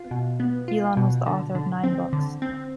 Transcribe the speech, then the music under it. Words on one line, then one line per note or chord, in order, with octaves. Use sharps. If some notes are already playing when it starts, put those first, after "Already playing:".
Elon was the author of nine books.
Already playing: F4
B2
B3
F4
B2
D3
D3
C4
D3
C4